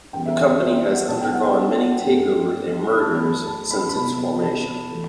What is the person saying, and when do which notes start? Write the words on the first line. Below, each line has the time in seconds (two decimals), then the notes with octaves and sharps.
The company has undergone many takeovers and mergers since its formation.
0.13 F#2 E3 G3 B3 G5
0.26 E5
0.37 E5
0.49 D5
0.61 C5
0.77 D5
0.93 F#5
1.08 B2 F#3 B3 A5
1.21 G5
1.33 F#5
1.45 G5
2.04 G2 F#3 A3
2.90 B5
3.00 F#2 F#3 A3 A5
3.24 B5
3.47 A5
3.71 B5
3.89 B5
3.95 C3 F#3 B3 A5
4.18 B5
4.42 A5
4.91 E3 A3